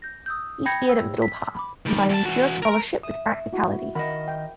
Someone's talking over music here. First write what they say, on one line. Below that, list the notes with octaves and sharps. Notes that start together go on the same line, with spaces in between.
He steered a middle path, combining pure scholarship with practicality.
G6 A#6
D#6 E6 G6
G5 B5 G6 G#6 A#6 C#7
E6
B6
B5 D6
D#3 G3
E2 A5
E3 F#4
A#4
E5 D#6
E4 F#4
D#3 A#4 D#5 F#5 B5
G5